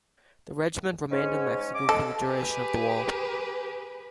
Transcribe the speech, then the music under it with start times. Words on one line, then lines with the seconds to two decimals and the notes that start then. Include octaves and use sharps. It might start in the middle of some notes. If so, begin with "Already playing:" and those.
The regiment remained in Mexico for the duration of the war.
1.11 G#2 C#4
1.74 D#5 D6
1.89 A4
2.26 G4 G#4 B4